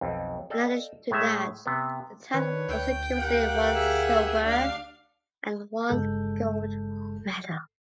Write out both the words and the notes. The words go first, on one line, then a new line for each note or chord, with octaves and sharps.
In addition to that, the town also gives away one silver and one gold medal.
B1 F2
A4 D5 D#5 F5 G5
A2 G#3 A3 E5
C3 B3
D#3 D4 B4 C#5
D2 G5
G4 A#4 F5 F#5
G#4 E5
D4 F5
G1 G2 C#3 G#3 A4 G6